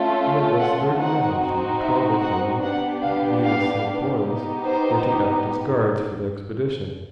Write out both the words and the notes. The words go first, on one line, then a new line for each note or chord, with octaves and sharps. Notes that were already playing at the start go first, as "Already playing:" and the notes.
He had thus thirty men with him, twelve of whom, viz., the Sepoys, were to act as guards for the Expedition.
Already playing: A3 C#4 F4 A4
F#5
C4 D#4 F#4 F#5
E5
F#5
B3 D4 G4 F#5
F5
F5
B3 D#4 G4
C5